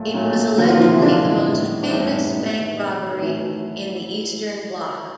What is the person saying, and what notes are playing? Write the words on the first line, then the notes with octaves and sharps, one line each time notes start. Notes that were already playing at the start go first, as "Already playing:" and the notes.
It was allegedly the most famous bank robbery in the Eastern bloc.
Already playing: A#2 F#3 A3
A#2 F#3 A3
D3 F3 F#3 A#3 F#4
F3 F4
F3 F4
E3 E4
D3 F3 A#3 D4
A2 E3 G3 B3
D4
A2 E3 G3 B3 D#4
D#3 G#3 B3
D#3 G#3 B3
D#3 E3 F#3 A3 E4